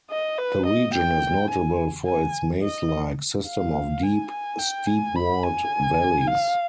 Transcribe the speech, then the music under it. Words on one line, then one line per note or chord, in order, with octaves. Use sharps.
The region is notable for its maze-like system of deep, steep-walled valleys.
D#5
B4
D#5
G5
G#5
G#5
D#5
F5
G#5
G#5
G5
G#5
B5
G#5
F5